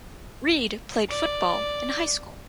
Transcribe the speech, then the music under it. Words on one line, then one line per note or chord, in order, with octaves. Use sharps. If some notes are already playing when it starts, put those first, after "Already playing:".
Reed played football in high school.
D5